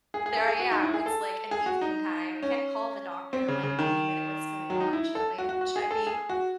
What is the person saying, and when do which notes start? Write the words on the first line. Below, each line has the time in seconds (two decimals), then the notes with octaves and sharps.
there I am, it's, like, an evening time, I can't call the doctor, I'm like, "Wait a minute, what's going on? Should I be should I be"
0.14 G#4
0.26 G#4
0.37 A4
0.48 G#4
0.59 F#4
0.71 D#4
0.83 E4
0.94 G#4
1.06 A4
1.51 G#4
1.66 F#4
1.81 D#4
2.43 C#4
3.33 C4
3.48 C#3
3.63 C#3
3.79 D#3
4.70 F#3
4.80 D#4
4.93 E4
5.15 A4
5.38 F#4
5.49 F#4
5.61 F#4
5.76 G#4
5.91 A4
6.07 G#4
6.29 F#4